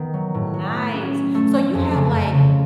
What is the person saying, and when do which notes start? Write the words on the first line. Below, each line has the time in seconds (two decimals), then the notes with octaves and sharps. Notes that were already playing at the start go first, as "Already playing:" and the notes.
Nice. So you have, like,
Already playing: D#3 B3
0.14 F#3
0.34 A2
0.54 F#3
0.74 A3
0.94 C#4
1.14 C#4
1.35 A3
1.54 F3
1.75 F2
1.94 C#3
2.15 F2
2.35 C#3